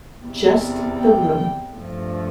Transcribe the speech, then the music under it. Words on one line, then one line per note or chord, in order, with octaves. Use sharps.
Just the room.
E2 C3 G3
G5
G2 F3 A3